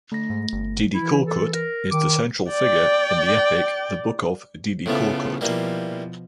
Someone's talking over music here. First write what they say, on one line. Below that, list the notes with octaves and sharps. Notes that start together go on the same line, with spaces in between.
Dede Korkut is the central figure in the epic The Book of Dede Korkut.
D3 A3 A#6
G#2
G1
E3 E4
A4
A#4
D#3 D6
D5 G5
A2 C#3 F3 A3 B3
B2 E3 F3 G3 A#3